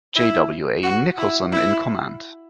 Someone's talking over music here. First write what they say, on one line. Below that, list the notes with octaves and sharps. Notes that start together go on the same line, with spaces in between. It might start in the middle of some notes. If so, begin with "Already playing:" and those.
J. W. A. Nicholson in command.
E4
F#4
E4
E4